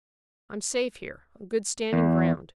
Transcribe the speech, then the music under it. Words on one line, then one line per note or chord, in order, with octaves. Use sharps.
I'm safe here, on good standing-ground.
E2